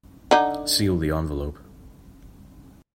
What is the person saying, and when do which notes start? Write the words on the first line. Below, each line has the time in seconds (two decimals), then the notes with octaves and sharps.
Seal the envelope.
0.31 D3 D#4